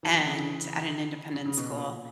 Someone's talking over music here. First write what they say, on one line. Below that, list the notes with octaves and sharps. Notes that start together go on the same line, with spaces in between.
and at an independent school,
E3
E3
C#3
C#3
C#3
C#3
B2
A#2